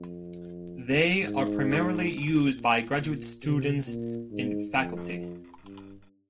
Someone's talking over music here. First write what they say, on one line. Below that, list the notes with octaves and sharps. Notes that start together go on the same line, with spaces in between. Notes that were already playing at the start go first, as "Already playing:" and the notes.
They are primarily used by graduate students and faculty.
Already playing: F2
G#2
A#2
A#2
C3
A#2
G#2
F2
G2